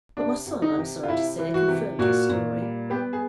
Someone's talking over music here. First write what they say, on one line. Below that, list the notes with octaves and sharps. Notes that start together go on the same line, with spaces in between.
But my son, I am sorry to say, confirmed her story.
C3 D4
C3
D#4
C3
F4
C3 E4
E3
F#4
C3
A#2 F#4
A#2
G3
B3 G4
G#4